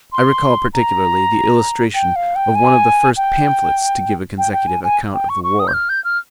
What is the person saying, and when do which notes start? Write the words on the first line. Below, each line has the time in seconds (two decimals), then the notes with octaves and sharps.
I recall particularly the illustration of one of the first pamphlets to give a consecutive account of the war.
0.12 C6
0.74 A#5
1.95 G5
2.16 F5
2.36 G5
2.55 G#5
3.17 G5
4.38 G5
4.53 G5
4.67 G#5
4.84 G#5
5.14 G5
5.29 C#6
5.44 C#6
5.60 D#6
5.68 G6
5.74 F6
5.89 G6
6.04 F6